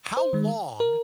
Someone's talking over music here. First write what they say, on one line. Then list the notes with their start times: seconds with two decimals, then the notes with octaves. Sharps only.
How long
0.17 C5
0.33 D#3 G#3
0.80 A#4